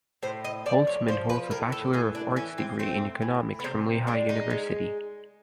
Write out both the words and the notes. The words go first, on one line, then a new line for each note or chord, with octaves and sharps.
Holtzman holds a Bachelor of Arts degree in Economics from Lehigh University.
A2 C5
D#5
F3 D5
C#5
F3 C5
B4
A2 A#4
A4
E3 G#4
D4
E3 C#4
C4
A3 C4
E3
B3
C3 C4
G#3 D4
D#4
G#3